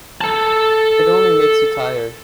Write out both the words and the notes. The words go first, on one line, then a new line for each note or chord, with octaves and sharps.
It only makes you tired.
A4 A5